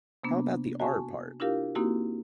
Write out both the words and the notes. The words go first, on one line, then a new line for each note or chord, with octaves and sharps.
How about the R part?
C3 A#3 B3 D4
F#4 G#5 A5 C#6
D4 E4 F4 G4 A#4 F5
A#3 C4 D#4 E4 F#4 G4